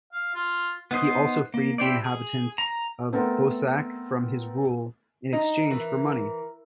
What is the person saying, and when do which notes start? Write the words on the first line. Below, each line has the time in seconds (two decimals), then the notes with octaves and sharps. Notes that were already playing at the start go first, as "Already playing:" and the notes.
He also freed the inhabitants of Boussac from his rule, in exchange for money.
0.13 F5
0.34 F4
0.91 B3 D#4 C5 D#6
1.54 A#3
1.78 E4 G4 C5 D5
2.04 G#4
2.58 A#5
3.12 A3 B3 C4 A4 A#4
5.33 D#4
5.70 E3 A#4